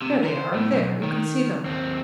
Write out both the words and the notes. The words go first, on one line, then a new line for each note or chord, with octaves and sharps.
"There they are, there... you can see them."
C3
A#4 C5
A2
B1
D#3
D#2 C4